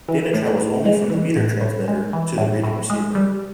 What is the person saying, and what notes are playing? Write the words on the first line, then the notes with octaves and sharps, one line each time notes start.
Data travels only from the meter transmitter to the reading receiver.
E3
A2
A2
G#3
E3
A2
A2
G#3
E3
A2
A2
G#3
G3